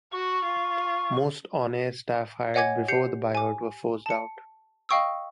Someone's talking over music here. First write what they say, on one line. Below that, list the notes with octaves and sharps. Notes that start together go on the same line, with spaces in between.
Most on-air staff hired before the buyout were forced out.
F#4 C#6
F4
C#5 D#5 F#5 G#5 D6 G#6
G4 G6 C7 C#7
G#5 D6
A5 C#7
D#5 F5 G5 C#6 D#6 E6